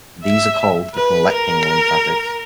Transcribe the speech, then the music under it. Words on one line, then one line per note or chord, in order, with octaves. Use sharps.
These are called the "collecting lymphatics".
E5
B4
A#4